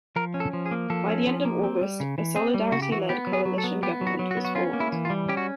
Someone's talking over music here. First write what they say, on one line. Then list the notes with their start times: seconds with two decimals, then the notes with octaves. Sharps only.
By the end of August, a Solidarity-led coalition government was formed.
0.16 F3 A#4
0.34 C#4
0.40 A4
0.53 F3
0.66 G#4
0.71 A#3
0.90 F3 A4
1.08 C#4
1.27 F3
1.45 A#3
1.63 C4
1.81 G3
2.00 C#3
2.18 E3
2.36 C4 G#4
2.54 G3
2.72 C#3 F#4
2.82 G4
2.91 E3 F#4
3.09 B3 G4
3.27 F#3
3.33 G#4
3.45 F#3
3.58 A4
3.64 B3
3.83 B3 G4
4.01 F#3
4.07 F#4
4.19 F#3
4.31 F#4
4.37 B3
4.45 F#4
4.55 C#4 F4
4.73 A#3
4.80 E4
4.92 E3
5.05 F4
5.10 G3
5.29 C#4 G4
5.37 F#4